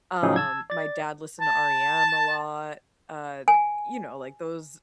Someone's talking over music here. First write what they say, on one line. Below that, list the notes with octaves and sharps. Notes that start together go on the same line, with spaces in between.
um, my dad listened to REM a lot, uh, th you know, like, those
A2 C#3 F3 F#3 D#4 G#4
A5 E6 G#6
D5 A6
A5
G#5